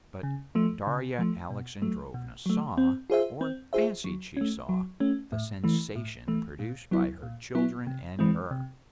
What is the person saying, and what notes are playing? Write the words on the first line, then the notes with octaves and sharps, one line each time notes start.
But Darya Alexandrovna saw, or fancied she saw, the sensation produced by her children and her.
C#3
F3 A3
C#3
F3 A3
B2
F#3 A3
B2
F#3 A3
C4
F4 G#4 C5 E5
C4
F4 G#4 C5 E5
F#3
A3 C#4
F#3
A3 C#4
A2
E3 A3
A2
E3 A3
A#2
F#3 B3 E4
A#2
F#3 B3 E4
C3
E3 G#3 C4
C3